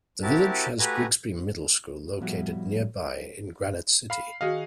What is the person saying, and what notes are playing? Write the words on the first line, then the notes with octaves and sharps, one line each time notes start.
The village has Grigsby Middle School located nearby in Granite City.
C4 E4 F#4 G4 A#4 A5
A3 F#4 G4 B4 G#5 A#5
A2 F3 G3 B3 E4 F#4
F5 B5 C7
D#3 F#4 G#4 D#5 F5